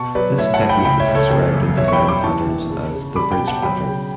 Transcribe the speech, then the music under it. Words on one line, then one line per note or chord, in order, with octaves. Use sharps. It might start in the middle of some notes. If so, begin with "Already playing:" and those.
This technique is described in Design Patterns as the Bridge pattern.
Already playing: B2 A5 C#6
F#3 B4 D5
A2 C#5 E5
F#5 A5
A2
G5 B5
C#2 G5 B5
C#5 E5
C#2
A4 C#5
F#1
F#2
B2 C#5 E5
C#6
G5 B5
G3
B5 D6
E3 A5 C#6
G1
C#3
C#3
G3 B5 D6
G5 B5
B2
F#5 A5
F#3 G5 B5
C#3